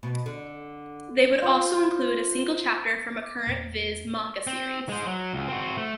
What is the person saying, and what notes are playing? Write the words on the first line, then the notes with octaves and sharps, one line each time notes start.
They would also include a single chapter from a current Viz manga series.
B2
D3
F4 C5
D6
E2 A#2
C4
G#3 C5
F#3
C#2
C4 F#4
A3